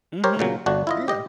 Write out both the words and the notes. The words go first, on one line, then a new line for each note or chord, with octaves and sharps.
Mhm, yeah.
G4 A#4 C5 C#5
A#2 C#3 F#3
G1 D3 D4 F#4
E4 F4 D#5
G4 D#5